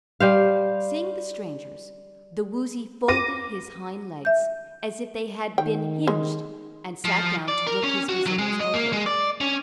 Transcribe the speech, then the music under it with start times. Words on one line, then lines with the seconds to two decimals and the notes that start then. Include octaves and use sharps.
Seeing the strangers, the Woozy folded his hind legs as if they had been hinged and sat down to look his visitors over.
0.20 G3 C5 F5
3.08 D6 A#6 D#7
4.25 E5 G6
5.58 D#3 G5
6.07 G#3
7.05 F3
7.48 D5
7.67 A#4
7.83 C#4
8.09 F#4
8.27 F#3
8.39 G#3
8.60 D#5
8.73 A#3
8.93 G#3
9.06 D5
9.41 C#4